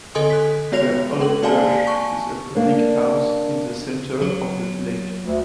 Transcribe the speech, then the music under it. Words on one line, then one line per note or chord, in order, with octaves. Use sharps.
"The Holly Bush" is a public house in the centre of the village.
D3 A4 D#5 G#5 C6 D#6
F#6 B6
G#3 B3 F#4 C#5 A#6 F7
C#4 A4 F#7
A#3 F#4 D5 F5 G#5 A5
G#5 A5 C#6
A#3 D4
F#3
D2